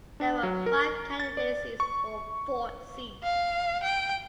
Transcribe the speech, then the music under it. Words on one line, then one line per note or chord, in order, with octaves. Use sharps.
There were five candidacies for four seats.
D4
F#3
A#4
A6
D5
C#6
F5
G5